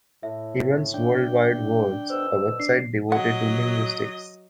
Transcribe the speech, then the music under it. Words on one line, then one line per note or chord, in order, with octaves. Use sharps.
He runs World Wide Words, a website devoted to linguistics.
A2 E5
D4 G5
B2 D3 C5 E6
D4 C7
F#3 D#5 F#5